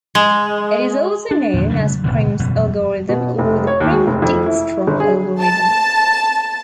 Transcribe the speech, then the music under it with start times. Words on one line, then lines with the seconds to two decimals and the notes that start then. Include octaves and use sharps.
It is also known as Prim's algorithm or the Prim-Dikstra algorithm.
0.15 G#3
1.31 D4
1.54 E2 A#2 D3
1.71 C#3 F#3 G3 A3
2.04 D1 C#2 B2 D3
2.39 E1 F#2 B2 G3
3.09 B2
3.38 F1
3.67 C#5
3.81 D#2
3.92 G#3
4.07 F1
4.22 F2
4.46 E4
4.87 G1
5.00 G#4
5.40 A5